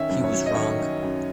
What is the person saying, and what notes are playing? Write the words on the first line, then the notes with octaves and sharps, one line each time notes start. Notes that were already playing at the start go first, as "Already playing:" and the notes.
He was wrong.
Already playing: D#3 C#4 E5
F#2
C#5
F#3
D#5
D#3 C#5
C#4
F#2